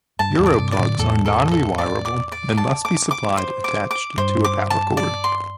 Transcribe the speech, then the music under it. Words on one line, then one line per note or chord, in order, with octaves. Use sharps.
Europlugs are non-rewirable and must be supplied attached to a power cord.
G2 A5
E2 A2
D5
G2 C3
D5
A2 D3
E2 A2 A4
A4
A4
D5
D6
D5
A5
D6
D6
C5
D6
D6
G2 C5
D6
A5
D5
C6